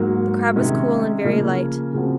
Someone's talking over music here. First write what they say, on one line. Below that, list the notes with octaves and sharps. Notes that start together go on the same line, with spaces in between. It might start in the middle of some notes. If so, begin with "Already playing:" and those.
The crab was cool and very light.
Already playing: G#2 F#3 A#3
C3 D#3 G#3 C#4
C#3 F3 A#3 C#4
C#3 F3 C4 F#4 A#4